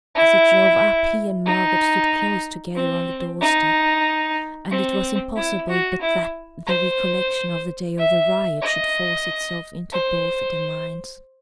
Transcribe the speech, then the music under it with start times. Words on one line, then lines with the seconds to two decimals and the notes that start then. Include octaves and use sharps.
As it drove up, he and Margaret stood close together on the door-step, and it was impossible but that the recollection of the day of the riot should force itself into both their minds.
0.15 E4
1.45 D#4
2.76 C4
3.41 D#4
4.71 C4
5.37 E4
5.69 F#4
6.01 E4
6.67 C5
7.98 E5
8.62 D#5
9.92 C5